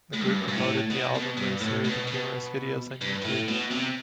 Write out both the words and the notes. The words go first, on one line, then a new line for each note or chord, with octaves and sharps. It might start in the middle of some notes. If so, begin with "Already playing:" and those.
The group promoted the album with a series of humorous videos on YouTube.
A2
G2
F#2
G2
A2
B2
B2
G2
A2
B2
B2
G2
A2
B2
C3